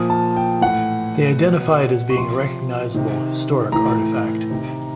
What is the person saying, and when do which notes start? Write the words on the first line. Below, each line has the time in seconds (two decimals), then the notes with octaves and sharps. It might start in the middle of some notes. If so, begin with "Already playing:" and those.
They identify it as being a recognizable historic artifact.
Already playing: A#2 F3 D#6
0.10 A5
0.37 G5
0.61 A2 E3 F#5
1.40 B2
2.10 C#6
2.17 C3 F3 C6
2.94 C3 D#3
3.72 A2 E3 A#5
4.50 C3 D#3